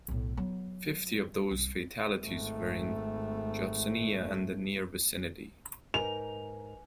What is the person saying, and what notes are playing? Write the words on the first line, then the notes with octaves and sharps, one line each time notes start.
Fifty of those fatalities were in Judsonia and the near vicinity.
B1 A2
F#3 B3
C2
G#1 A3
G#2 D#4 A#4 B4 G#5 F7